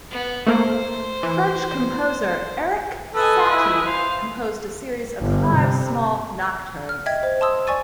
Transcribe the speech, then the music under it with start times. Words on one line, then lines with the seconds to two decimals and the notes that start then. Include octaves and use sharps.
French composer Erik Satie composed a series of five small nocturnes.
0.11 B3
0.47 A3 A#3 C5
1.23 E3
3.15 A4 B4 D#5 G#5
3.52 E4
3.86 C5 F5
5.20 G1
5.54 C3
6.89 F6
7.06 D#5 E5 G5 G#6
7.23 C5
7.41 A5 C6 D#6 E6
7.67 D5 G#5 C#6 A6 D#7